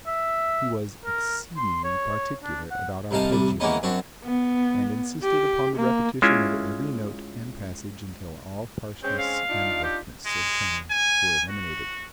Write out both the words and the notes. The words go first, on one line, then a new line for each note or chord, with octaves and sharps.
He was exceedingly particular about arpeggio work, and insisted upon the repetition of every note and passage until all harshness and roughness of tone were eliminated.
E5
A#4
C6
C#5
D4
F#5
C2 C3 D#4 F5 A5
A1 C3 G3
E3 G#3 A#3 B3 C#4 D#4
F#2 C4 D4 F#4
B3
G4
A#3
G#3 C#4 E4 F4 E5
G#3 C4 C#4 G5
F5
D4 D#4 F4
G4
G#3
G#5
F#4